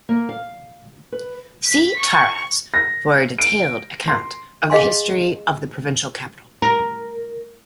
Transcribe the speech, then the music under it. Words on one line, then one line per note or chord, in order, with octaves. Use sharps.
See Taraz for a detailed account of the history of the provincial capital.
A#3
F5
B4
B6
C#6
A#6
D7
C6
G#4 D#5 F5 G#5 C6
A#4